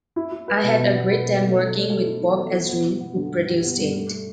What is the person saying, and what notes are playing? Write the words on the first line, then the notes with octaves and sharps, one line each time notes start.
I had a great time working with Bob Ezrin, who produced it.
E4
E4
B4
B2
B2
B3
B4
B2
A3
A3
A3
A4
E4
E3
A4
E4
B3
B3
B3
D3
G2
G3
B3
G2
A3
A3